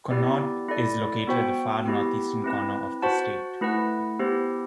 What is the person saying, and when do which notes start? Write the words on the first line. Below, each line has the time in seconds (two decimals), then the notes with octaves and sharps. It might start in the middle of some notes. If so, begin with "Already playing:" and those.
Conneaut is located at the far northeastern corner of the state.
0.10 B3 E4 G4 D5
0.69 E4 A4 D5
1.27 B3 F#4 C5 G5
1.86 B3 E4 G4
2.44 C4 E4 B4
3.02 F#4 C5 F#5 A5
3.61 A3 E4 B4 F#5
4.19 B3 E4 G4 C5